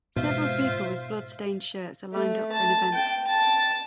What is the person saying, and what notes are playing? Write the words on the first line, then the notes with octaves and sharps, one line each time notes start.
Several people with blood stained shirts are lined up for an event.
G#2 B2 F4 C5 E5 F5
A3
A5
G5
A5